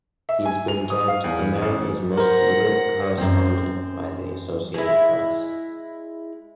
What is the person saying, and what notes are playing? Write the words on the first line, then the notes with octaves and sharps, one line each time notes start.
He has been dubbed "America's most literate correspondent" by the Associated Press.
E5
G#5
F7
D#6
F5
E2
A1
A#4 C5 F#5 A#6
F#2 C4
G#3 E4